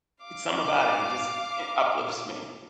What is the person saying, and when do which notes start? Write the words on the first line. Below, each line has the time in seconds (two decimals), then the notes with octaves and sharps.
It's something about it, it just, eh, uplifts me.
0.24 F5 D6